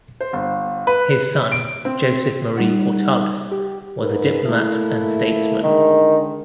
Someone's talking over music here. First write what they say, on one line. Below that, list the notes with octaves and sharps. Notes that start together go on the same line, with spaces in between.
His son, Joseph Marie Portalis, was a diplomat and statesman.
C5
G1
B4
D7
C4
G3 D#4 F#5
G4
G#2 A#4 B4
A3 A#3 E4
D3 D#3 G#3